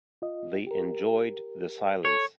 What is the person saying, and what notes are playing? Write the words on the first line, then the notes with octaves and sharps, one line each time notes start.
They enjoyed the silence.
F4 D#5
G4 A#4
A4 C#5